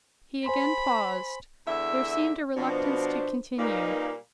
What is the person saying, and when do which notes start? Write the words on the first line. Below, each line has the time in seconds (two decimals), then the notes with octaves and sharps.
He again paused: there seemed a reluctance to continue.
0.46 C5 G#5 B5 C6
1.66 E2 D3 E5
2.56 B2 F3 D4 C5
3.57 A#2 G3 A#3 D#4 B4